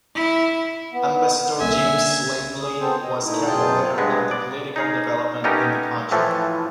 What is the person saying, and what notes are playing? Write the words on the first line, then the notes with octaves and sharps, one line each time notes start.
Ambassador James Langley was kept aware of the political development in the country.
E4
B3
C2 D3 A#3 C#4 E5 G#5
G#4
B3 C4 G#4 A4 C5
D#5
A#2 A3 D#4 E4
F#2 B2 F4 G#4 G5 A5
G2 G#3 B3
D5
D#4 G#4 F5
A3 B3 C#4 D#4 G4 A#4
A2 E3 F3 A3